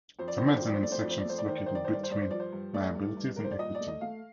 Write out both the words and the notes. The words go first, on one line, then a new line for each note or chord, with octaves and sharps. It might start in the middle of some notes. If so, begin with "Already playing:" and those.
The Mezzanine section is located between liabilities and equity.
F2 C5
D5
D#3 C5
D5
C5
F2 D5
C5
A3 D5
C5
F2 D5
C5
D5
A3 C5
D5
D#3 C5
D5
D#3 C5
D5
G2 C5
D5
C5
G2 D5
C5
F3 D5
C5
G2
A3 D5
G2
G2
G2 A#4
C5
D5
A#2 D#5
D5
A3
D#5
A3 F5